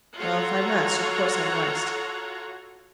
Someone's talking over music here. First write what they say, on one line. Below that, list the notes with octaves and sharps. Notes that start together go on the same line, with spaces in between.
Well, if I must, of course I must.
F4 F#4 A4 C#5 F#5 A#5